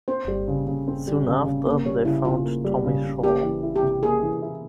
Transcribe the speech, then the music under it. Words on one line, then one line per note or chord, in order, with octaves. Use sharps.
Soon after, they found Tommy Shaw.
C4 C5
G3
C#3
C#3
C4
G3
C#3
C#3
A#3
G3 C#5
C#3 E4
C#3 F4
A#3
G3
C#3
C#3
A#3 G4
E3
E4
G4
C3
A#3 G#4
E3
E4